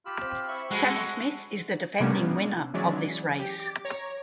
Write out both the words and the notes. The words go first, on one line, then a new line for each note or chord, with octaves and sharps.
Sammy Smith is the defending winner of this race.
F4 G4 B5 E6
C4
E4 E5 B5 C#6
G#3 F#4 A4 F#5 B5
C3 G3 A#3 B3 C#4 D4
E3 F#3 G#3 C#4 D5
G4
D6
C#5 A#5